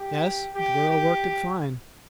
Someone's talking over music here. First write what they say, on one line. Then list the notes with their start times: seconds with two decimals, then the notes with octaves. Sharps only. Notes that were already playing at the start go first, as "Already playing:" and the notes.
"Yes; the girl worked it fine."
Already playing: G4
0.55 G4
0.89 G4